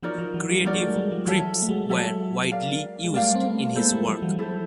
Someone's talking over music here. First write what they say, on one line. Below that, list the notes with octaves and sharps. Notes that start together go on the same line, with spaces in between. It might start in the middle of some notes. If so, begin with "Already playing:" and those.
Creative trips were widely used in his work.
F3 D#4 F#4 A#4 D5
F3
E3 F#3
F3 G3
F#3 G#3 D#4 F#4 A#4 D5
G#3
G3 A3
F#3 G#3
F3 G3
E3 F#3 A4 C#5 E5 A5
A3
F#3 G#3
F#3 G#3 A4 C#5 E5 A5
A#4 D5 F5
G#3
G3 A3 A#4 D5 F5
C4
A3 B3
G#3 A#3 E4 A4 C5
G3 A3
F3 G3
E3 F#3
F3 E4 A4 C5